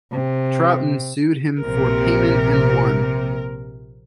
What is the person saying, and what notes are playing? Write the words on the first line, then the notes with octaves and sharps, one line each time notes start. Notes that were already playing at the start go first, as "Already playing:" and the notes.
Troughton sued him for payment and won.
C3
A#1 C3 A#4